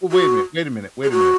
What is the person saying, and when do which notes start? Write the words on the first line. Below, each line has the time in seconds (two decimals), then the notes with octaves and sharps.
Wa wait a minute wait a minute wait a minute,
0.11 F#4
1.04 G#4
1.11 F#4